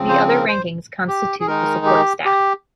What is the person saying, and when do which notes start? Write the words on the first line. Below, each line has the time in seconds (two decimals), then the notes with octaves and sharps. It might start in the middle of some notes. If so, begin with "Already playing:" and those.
The other rankings constitute the support staff.
Already playing: C#3 F3 C4
0.09 C5
0.28 A#4
0.48 C5
1.08 G4
1.40 G#4
1.47 D#3 G#3 D#4 A#4
1.85 G4
2.25 G4